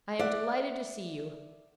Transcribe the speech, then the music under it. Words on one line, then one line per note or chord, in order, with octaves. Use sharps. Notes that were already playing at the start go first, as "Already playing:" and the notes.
I am delighted to see you.
D5 E5 F#5